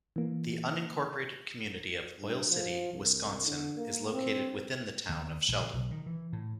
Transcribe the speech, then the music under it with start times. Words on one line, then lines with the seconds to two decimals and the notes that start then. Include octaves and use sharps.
The unincorporated community of Oil City, Wisconsin is located within the town of Sheldon.
0.16 E3 A#3
2.20 G2
2.50 F3
2.93 C2
3.47 D3
3.76 A#3
4.13 C4
5.09 D#2
5.48 A#1
5.60 C#3
5.73 B1
5.91 D#3
6.06 E3
6.33 A2